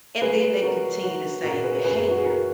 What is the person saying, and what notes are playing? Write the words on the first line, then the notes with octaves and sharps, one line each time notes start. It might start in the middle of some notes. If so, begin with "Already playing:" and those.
and then they continue the same behavior.
F#3 G#4 B4
F#3 F#4 A#4
F#3 F#4
A#2 F#4 A#4
G#4 B4
F#2 G#4 B4
F#4
G#4
E3 F#4 A#4